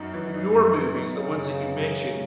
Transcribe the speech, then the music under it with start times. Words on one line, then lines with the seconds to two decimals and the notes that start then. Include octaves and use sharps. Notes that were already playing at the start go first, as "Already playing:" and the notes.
your movies, the ones that you mentioned,
Already playing: F#2 B3 D#4
0.14 E3
0.34 D#4
0.54 F#2
0.75 E3
0.95 D#4
1.15 C#3 D#4
1.35 D#4
1.55 B3
1.75 F#2
1.96 D#3